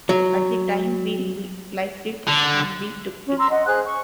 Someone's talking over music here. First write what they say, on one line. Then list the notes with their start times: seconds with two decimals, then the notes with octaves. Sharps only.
At the time we liked it, and we took it.
0.09 F#3
2.28 D3
3.25 C#4
3.38 A#5 C6 E6
3.50 D#5 F#5
3.67 G#4 C5 F#6
3.85 C#6